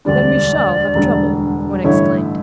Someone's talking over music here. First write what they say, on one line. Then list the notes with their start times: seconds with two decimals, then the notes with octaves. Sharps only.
"Then we shall have trouble," one exclaimed.
0.05 E1 D2 D3 G3 D4 D5
0.95 E1 D2 D3 G3 D4
1.84 A1 G2 D3 A3 E4 C#5